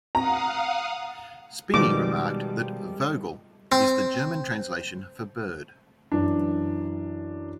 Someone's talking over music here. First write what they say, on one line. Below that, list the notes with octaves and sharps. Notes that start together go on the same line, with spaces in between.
Spinney remarked that "Vogel" is the German translation for "bird".
F5 F#5 A#5 D#6
B2 D#3 F3 G3 G#3 D6
C4
F#2 E3 D4